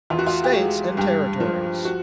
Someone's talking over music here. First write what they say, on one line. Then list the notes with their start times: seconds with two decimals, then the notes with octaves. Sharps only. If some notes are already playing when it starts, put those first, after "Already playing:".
States and Territories.
0.10 E2 F4
0.19 F#4
0.26 F4
0.44 G4
0.53 G#3 F#4
0.97 G2 G4
1.40 F3
1.85 F#4